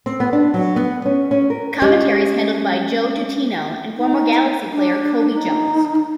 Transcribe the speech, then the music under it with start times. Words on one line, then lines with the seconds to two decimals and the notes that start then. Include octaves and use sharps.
Commentary is handled by Joe Tutino and former Galaxy player Cobi Jones.
0.06 C4
0.20 B3
0.33 D4
0.54 F#3
0.76 B3
1.06 C#4
1.31 C#4
1.50 A#4
1.82 G#3 C#4 G4 D#5
3.97 D#4
4.73 D4
5.33 D#4